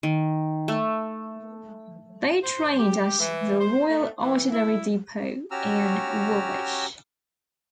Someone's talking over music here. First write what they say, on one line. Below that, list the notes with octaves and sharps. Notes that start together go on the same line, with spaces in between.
They trained at the Royal Artillery Depot in Woolwich.
D#3
A3
C5
G4
E3
C5
A3
E3
E4
C#4 F#4 G4 A#5 E6 F6